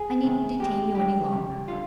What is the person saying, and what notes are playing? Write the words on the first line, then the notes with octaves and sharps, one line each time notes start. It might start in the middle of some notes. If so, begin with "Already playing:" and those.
I needn't detain you any longer.
Already playing: G#4
C3 D#3 G#3
G#2 D#3 G#3 G4
F2 D3 F3 G#3 G4
F2 C3 G3
D3 G3 F4